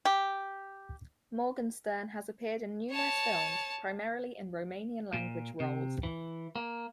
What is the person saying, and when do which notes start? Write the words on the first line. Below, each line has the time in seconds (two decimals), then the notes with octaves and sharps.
Morgenstern has appeared in numerous films, primarily in Romanian language roles.
0.05 G4
2.91 C#5 A5
5.14 A#2
5.60 C3
6.03 E3
6.56 A#3